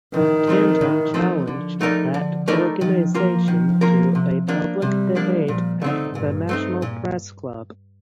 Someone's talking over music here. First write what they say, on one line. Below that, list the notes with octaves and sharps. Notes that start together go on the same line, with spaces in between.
Tanton challenged that organization to a public debate at the National Press Club.
A2 D#3
F3 A3 C4 D#4
A2
F3 A3 C4 D#4
D3 F3
A3 D#4 A#4 D5
D3
A3 D#4 A#4 D5
D#3 F3
F3 A#3 F4 A#4
D#3
A#3 F4 A#4
C3
F3 A#3 D4
C3 G3
F3 A#3 D4
A#2 F3
D3 A3 C4 D#4
G2 A#2
A3 C4 D#4
A#2